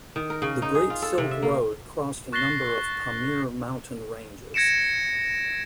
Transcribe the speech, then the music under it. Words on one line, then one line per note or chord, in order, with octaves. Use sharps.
The Great Silk Road crossed a number of Pamir Mountain ranges.
D#3
A#4
C#3
D#4
G#4
F4
A4
C3
E5
A#3
C#6 F#6 A6 A#6 C7 G7
G#6 A#6 C#7 D7 E7